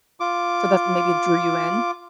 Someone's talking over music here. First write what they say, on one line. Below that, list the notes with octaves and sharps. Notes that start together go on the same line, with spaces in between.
so that's maybe drew you in?
F4 D6